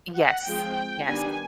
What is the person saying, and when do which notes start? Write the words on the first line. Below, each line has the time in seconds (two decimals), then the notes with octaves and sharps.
Yes, yes.
0.17 F#5
0.47 F3 G#3 C4 G5
1.06 D#3 G3 B3 D4 G#5